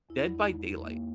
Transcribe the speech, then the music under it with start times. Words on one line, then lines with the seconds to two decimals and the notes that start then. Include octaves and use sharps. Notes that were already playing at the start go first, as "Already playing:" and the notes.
Dead by Daylight.
0.09 E2 E4
0.26 G#3
0.35 D#4
0.43 G#3
0.59 E2
0.75 E2
0.83 A#3